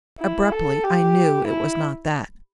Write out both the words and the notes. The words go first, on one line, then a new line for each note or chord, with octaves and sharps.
Abruptly I knew it was not that.
E4
A4
G4
E4